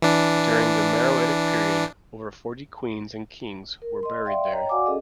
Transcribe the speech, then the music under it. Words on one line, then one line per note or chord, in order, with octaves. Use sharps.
During the Meroitic period, over forty queens and kings were buried there.
E3 D4
A#4
D#5 C6
D5 E5 F5 G5 C6
C#5 D#5 G5 A#5
F#4 D5 F5 F#5 G#5 D6
C#4 G#4 A4 D#5